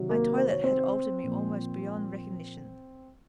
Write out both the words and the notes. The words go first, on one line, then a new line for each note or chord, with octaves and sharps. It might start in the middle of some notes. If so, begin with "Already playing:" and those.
My toilet had altered me almost beyond recognition.
Already playing: C3 D#3 F#3
A#3 A#4
C5
C#5
C4 C5
A#2 F3